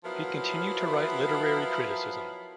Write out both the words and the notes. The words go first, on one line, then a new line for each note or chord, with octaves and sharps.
He continued to write literary criticism.
F3 F#3 B3 E4 A#4 F5